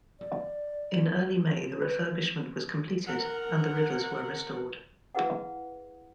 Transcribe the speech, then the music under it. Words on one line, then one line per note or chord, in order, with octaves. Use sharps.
In early May, the refurbishment was completed, and the rivers were restored.
D5
B4
A#4 F#5
E4 G#4 B4 F5 F#5